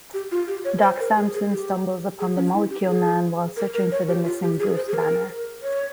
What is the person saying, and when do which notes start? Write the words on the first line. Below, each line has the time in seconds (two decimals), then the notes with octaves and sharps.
Doc Samson stumbles upon the Molecule Man while searching for the missing Bruce Banner.
0.14 G4
0.32 F4
0.48 G4
0.65 C#5
0.82 C5
1.00 A#4
1.17 G#4
1.34 G#4
1.51 G4
2.20 G#4
2.36 C#4
2.54 E4
2.70 G4
2.88 G#4
3.57 A#4
3.74 A#4
3.92 C#5
4.09 G4
4.25 F4
4.42 G4
4.60 G#4
4.76 C5
4.88 G#4
4.94 A#4
5.63 C#5